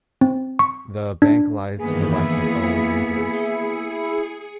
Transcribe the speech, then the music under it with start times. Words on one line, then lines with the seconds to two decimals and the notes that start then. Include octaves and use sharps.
The bank lies to the west of Owen Anchorage.
0.21 C4
0.59 C#6
1.22 D4
1.79 G2 D#3 E3 A#3 B3 G#4
2.11 E4 G#4 C#7